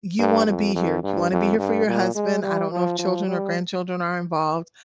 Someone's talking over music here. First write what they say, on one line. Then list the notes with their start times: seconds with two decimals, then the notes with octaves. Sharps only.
you wanna be here. You wanna be here for your husband, I don't know if children or grandchildren are involved,
0.19 G2
0.48 F2
0.75 F2
1.03 G2
1.32 F2
1.59 G2
1.87 A#2
2.15 G#3
2.43 G3
2.71 F3
2.99 F3
3.27 G3